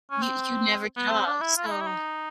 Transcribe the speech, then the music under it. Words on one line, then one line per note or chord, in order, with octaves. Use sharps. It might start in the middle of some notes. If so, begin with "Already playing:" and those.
you you never get off. So
C#4
C4
B3
C4
D4
E4
F4
E4
D#4
E4
D#4